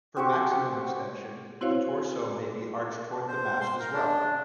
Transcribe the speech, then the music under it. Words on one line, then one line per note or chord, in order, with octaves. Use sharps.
For maximum extension, the torso may be arched toward the mast as well.
C4 F#4 G4 C#6
C4 E4 F#4 C5 C#5 F5
C5
C6
A#4
D4